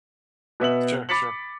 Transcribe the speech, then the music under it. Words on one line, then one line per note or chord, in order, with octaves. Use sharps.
Sure, sure.
B2 B3 E5 F#7
B5 D6 A6 B6 C#7 F#7